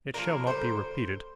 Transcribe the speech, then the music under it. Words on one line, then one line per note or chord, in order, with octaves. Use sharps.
'It shall not be repeated.
F3 A#3 D4 A#4
D3 G3 D4 C5